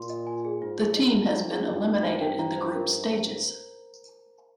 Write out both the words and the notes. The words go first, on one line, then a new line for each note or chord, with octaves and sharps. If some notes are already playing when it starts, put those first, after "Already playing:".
The team has been eliminated in the group stages.
Already playing: A#2 C6
D#5
G#5
G#4
G#2 F4
G#4
G2 D#5
F4
F2 D#4
G#4
G2 D#5
D#4
C5
G5
A#5
C5
A#4